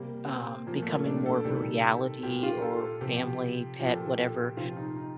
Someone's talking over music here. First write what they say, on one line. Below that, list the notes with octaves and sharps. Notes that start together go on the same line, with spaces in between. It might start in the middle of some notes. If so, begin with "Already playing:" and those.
um, becoming more of a reality or family, pet, whatever
Already playing: C3 G3 A#3
C4
A#2 F3 A#3
A3
A#3
D4
A4
C3 D#3 G3
A#2 G3 G4
F4
A4
C3 F3 G4
A#2 F3 G4
A4
A4
G4
C3 F3 F4
D#4
D#4